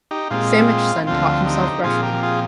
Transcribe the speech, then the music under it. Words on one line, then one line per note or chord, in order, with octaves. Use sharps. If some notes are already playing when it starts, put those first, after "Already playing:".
Samachson taught himself Russian.
D#4 G4
A#2 G#3 C4 F4
D2 D3 F3 C4 F4
D#4 G4
A#2 F3 C4 F4 G#4
G4 A#4
G4
F4 G#4